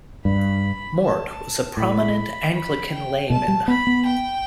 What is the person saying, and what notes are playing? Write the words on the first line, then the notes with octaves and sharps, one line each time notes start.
Mort was a prominent Anglican layman.
G2 B5
A5
A2 B5
B5
G5
B2 A5
G3
B3 B5
B3
G5